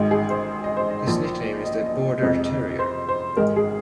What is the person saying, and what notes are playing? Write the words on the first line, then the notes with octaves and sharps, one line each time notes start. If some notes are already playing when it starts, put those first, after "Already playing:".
His nickname is the "Border Terrier".
Already playing: G#1 G#2 G#3
G#4
C5
D#5
C5
D#5
A#1 A#2 F3
D#5
D#5
F2 C3 G#3
C5
C5
G#1 G#2 G#3 A#4
G#4